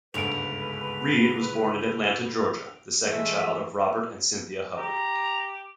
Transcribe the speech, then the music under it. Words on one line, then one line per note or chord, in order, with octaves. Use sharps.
Reed was born in Atlanta, Georgia, the second child of Robert and Cynthia Hubbard.
G1 D2 G#2 C#3 B4 D7 F7
E3 G#3 A3 E4 E5
G4 A#5